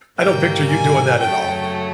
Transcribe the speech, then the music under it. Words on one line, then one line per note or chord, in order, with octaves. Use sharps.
I don't picture you doing that at all.
G#2 D#3 G3 A#3 G5
G#5
F#2 C#3 F#3 A3 G5